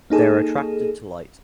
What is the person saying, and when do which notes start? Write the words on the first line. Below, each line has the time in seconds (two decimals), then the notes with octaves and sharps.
They are attracted to light.
0.10 A#3 D#4 G#4 A4